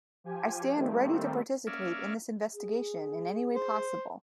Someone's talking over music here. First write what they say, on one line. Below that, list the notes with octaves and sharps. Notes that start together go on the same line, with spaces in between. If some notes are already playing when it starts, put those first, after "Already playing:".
I stand ready to participate in this investigation in any way possible.
F3 G4 G#5
D#3 G3 A3 A#3 C4
A#3 C#4 D5 E5 F5
G#4
C5